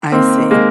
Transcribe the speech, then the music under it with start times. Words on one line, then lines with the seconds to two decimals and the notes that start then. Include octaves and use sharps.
I see.
0.12 D#3 A#3 C4
0.38 D#3
0.51 G#3 A#3